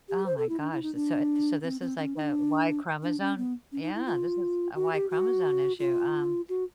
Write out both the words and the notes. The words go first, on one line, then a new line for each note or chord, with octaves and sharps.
Oh my gosh. So, eh so this is, like, a Y chromosome Yeah, this is a Y chromosome issue. Um
G4
C5
A4
E4
D4
E4
D#4
D4
C4
C4
C#4
D#4
D4
D4
C#4
B3
C#4
D#4
E4
F4
F#4
G4
F#4
F4
F#4